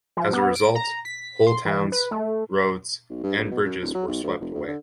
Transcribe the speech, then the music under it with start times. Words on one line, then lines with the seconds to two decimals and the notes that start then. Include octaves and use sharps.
As a result, whole towns, roads, and bridges were swept away.
0.17 F3
0.33 B3
0.55 D7
0.75 A#5
1.05 B6
1.47 C6
1.65 E3
1.92 B4
2.11 A3
3.10 B1
3.23 G2
3.38 A#1
3.51 B2
3.64 F#2
3.82 D1
3.95 F#3
4.08 B1
4.24 D2
4.41 F1
4.55 D2
4.68 D3